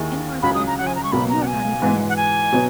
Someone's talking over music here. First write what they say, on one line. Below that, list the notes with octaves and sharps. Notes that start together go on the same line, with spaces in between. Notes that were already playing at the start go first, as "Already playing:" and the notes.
"Aunt Martha would--you are not in earnest."
Already playing: D#2 D#3 E4 G#4
C#2 C#3 F#3 B5
D#6
A#5
F#5
G#5
A#5
C#6
B1 B2 F#3 A#3 B5
A#5
F#5
G#5
G#2 E3 G#3
F#5
G#5
B2 F#3 B3